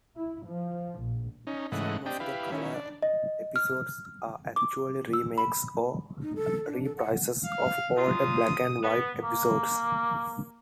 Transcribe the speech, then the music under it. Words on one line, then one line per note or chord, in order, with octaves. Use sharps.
Some of the colour episodes are actually remakes or reprises of older black-and-white episodes.
E4
F3
A#1
C#4 D#4
G#2 C#3 E3 A3 D#5 F#5
C4 D4 G4 D#5 G5
E4 G4 B4 F5
D#3 C#4 E4
D4
D#5
F6
D6
E6
B5
D#4
A4
D4
A4
F#5
F5
F#2 A#2 F4 D#6
B3
A#3